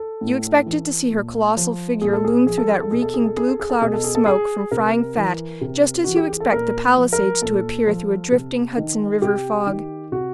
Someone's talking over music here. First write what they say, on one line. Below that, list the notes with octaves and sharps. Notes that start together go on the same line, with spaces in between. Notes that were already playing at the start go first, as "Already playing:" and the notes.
You expected to see her colossal figure loom through that reeking blue cloud of smoke from frying fat just as you expect the Palisades to appear through a drifting Hudson River fog.
Already playing: A4
A2
E3
A#2
F3
A#2 G#4
A4
G#4
F3 G#4
A4
G#4
A4
B2 G#4
A4
G#4
A4
G#4
A4
G#4
A4
B2 G#4
A4
G#4
A4
G#4
C3 A#4
E3
C3
E3 F#4
G4
G#4
A4
A#2 A#4
F3
A#4
A#2 A4
F3
C3
D#3
C3 G4
D#3
C3 F#4